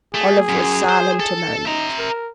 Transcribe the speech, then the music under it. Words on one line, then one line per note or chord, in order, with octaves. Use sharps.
Olive was silent a moment.
A3 G#4
F#2
C5
A4
D#4 E5 A#5
A#4